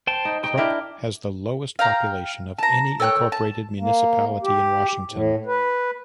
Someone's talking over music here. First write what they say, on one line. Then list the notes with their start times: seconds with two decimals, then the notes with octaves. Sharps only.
Krupp has the lowest population of any incorporated municipality in Washington.
0.07 C5 G5 A5
0.25 D#4
0.44 D#4 G5
0.57 D4 E4 A#4
1.79 F5 G5 A#5
2.58 A5 A#5
3.00 A4 C#5 G5 F#6
3.32 A5
3.79 A#3
4.42 G4
5.10 A2
5.46 B4